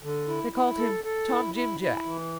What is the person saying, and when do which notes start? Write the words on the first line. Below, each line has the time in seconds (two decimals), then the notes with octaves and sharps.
They called him Tom-Jim-Jack.
0.03 D3
0.28 E4
0.53 E4
0.78 A4
1.04 A4
1.29 E4
1.55 E4
1.80 E4
2.05 E3